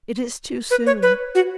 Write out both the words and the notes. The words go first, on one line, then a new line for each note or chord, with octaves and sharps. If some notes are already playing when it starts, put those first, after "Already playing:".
It is too soon.
B4
C#5
B4
F#4